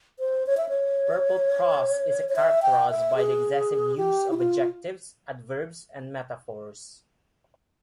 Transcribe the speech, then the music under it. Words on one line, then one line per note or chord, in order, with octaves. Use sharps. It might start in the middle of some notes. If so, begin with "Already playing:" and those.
Purple prose is characterized by the excessive use of adjectives, adverbs, and metaphors.
C5
C#5
E5
C#5
C#5
E5
G5
E5
G#4
G4
E4
F4